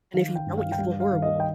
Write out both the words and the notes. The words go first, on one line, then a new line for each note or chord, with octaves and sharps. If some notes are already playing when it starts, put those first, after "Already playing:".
And if you don't, you feel horrible.
D#3 F5
G5
G2
F5
G5
G3 F5
F5
D#3
D#5
G5